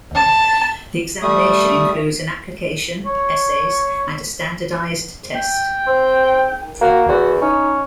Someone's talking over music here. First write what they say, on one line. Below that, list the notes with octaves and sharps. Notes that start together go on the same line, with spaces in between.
The examination includes an application, essays, and a standardized test.
A5
G3 A3 D#6
C#5
G5
C4
A#3 F#4
E2 F#4
C#4 D#4